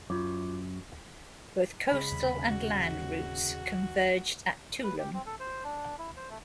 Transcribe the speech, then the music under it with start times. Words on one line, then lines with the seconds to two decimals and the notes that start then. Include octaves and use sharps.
Both coastal and land routes converged at Tulum.
0.10 F#2 F4 D6
1.89 G#2 C#3 G#3 B5
2.12 D#2 C3 G3
2.49 F#4
4.84 B4
4.98 G4
5.14 C4
5.26 A4
5.40 C5
5.64 D4
5.99 E4
6.17 C5
6.30 A3